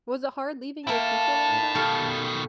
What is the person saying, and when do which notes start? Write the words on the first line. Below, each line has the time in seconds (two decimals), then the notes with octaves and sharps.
Was it hard leaving your people there, though?
0.87 A#3 E4 A4 E5 G5 A5
1.75 B2 D#3 G4 A4 F5